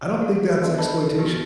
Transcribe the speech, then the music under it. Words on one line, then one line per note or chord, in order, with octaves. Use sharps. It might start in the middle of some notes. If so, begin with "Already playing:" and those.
I don't think that's exploitation.
A3 D5
G#4 B4
F#3 B3 D4 D5 E5
B4 C5 D5 D#5 A5 B5
A4
B3 D#4 E4 F#4 G4 A#4